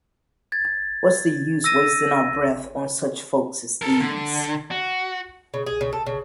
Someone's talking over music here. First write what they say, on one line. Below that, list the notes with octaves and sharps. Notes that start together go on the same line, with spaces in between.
What's the use wasting our breath on such folks as these?
G#6 A6
E6 A#6 D#7
A4 A#4
D3
F#4
C#3
G#4
C#3
A4
C#3